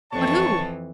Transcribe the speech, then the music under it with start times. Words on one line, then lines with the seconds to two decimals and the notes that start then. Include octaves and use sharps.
"But who?"
0.13 F2 E3 C#5 A5 C#6